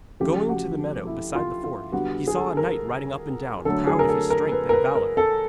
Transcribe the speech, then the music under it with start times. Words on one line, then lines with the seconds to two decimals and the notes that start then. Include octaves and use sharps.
Going to the meadow beside the ford, he saw a knight riding up and down, proud of his strength and valour.
0.20 C#3 F3 A3 G4
0.49 F#4
1.07 E4
1.35 F4
1.64 F4
1.92 D3 G3 B3 F#4
2.28 G#4
2.37 A4
2.57 A#4
3.65 D3 F#3 A3 A4
3.87 G#4
3.99 A#4
4.09 A4
4.30 A#4
4.52 B4
4.69 A#4
4.73 B4
4.95 A#4
5.17 A4